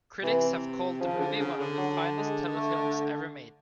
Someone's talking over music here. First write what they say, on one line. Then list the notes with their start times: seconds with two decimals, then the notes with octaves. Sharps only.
Critics have called the movie one of the finest telefilms ever made.
0.23 C3 E3
1.00 C#3 F3
1.19 D3
1.39 C#3
1.59 D3
1.78 F#3
2.17 G#3
2.56 A3